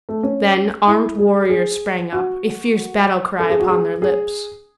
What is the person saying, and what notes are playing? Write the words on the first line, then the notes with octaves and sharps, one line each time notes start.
Then armed warriors sprang up, a fierce battle cry upon their lips.
A3
C#4
E4
G#4
G#4
F#4
A4
G#4
F#4
G#4
G#4